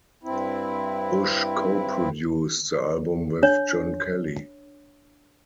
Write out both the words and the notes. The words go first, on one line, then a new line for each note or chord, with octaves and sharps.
Bush co-produced the album with Jon Kelly.
G2 C4 E4
D4 C#5